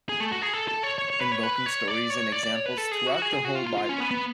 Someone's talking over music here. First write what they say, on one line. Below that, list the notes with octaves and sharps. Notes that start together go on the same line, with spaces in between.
Invoking stories and examples throughout the whole Bible.
G#4
A3
F#4
G#4
A4
A4
C#5
C#5
C#5
B4
C#5
B4
C#5
D5
C#5
D5
D5
C#5
B4
A4
G#4
F#4
G#4
G#4
F#4
F4
F4
F4
C#4
B3
B3